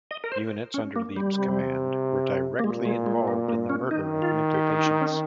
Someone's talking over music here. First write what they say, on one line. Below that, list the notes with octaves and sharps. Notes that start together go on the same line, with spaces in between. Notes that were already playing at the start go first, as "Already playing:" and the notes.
Units under Leeb's command were directly involved in the murder of mental patients.
D#5
A#4
C5
C#4
A#3
G3
C3
A#3
A#2 G#3
G#3
G#3
A#3
A#3
C#4
D#3 D#4
F4
G4
D#4
D#4
C#4